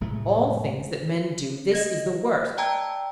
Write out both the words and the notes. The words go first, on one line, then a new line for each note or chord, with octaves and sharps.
Of all things that men do this is the worst.
F1 A2 G#3 A3
D#5 G#6 A#6
D5 G5 A5 A#5 E6 G#6